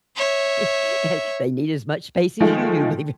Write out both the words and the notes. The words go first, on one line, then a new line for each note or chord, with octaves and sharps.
And, and they need as much space as you do, believe it
C#5 E5
D#3 F3 G#3 A3